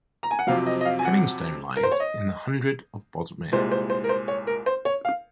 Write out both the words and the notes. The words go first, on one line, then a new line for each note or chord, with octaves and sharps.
Hemingstone lies in the hundred of Bosmere.
A#5
G#5
F#5
F2 C3 F#3 F5
D#5
D#5
F5
G#5
F#5
A#4
C5
C#5
D#5
C2 A#2 G#3 C5
C5
C5
A#4
C5
C#5
A#4
C5
C#5
F5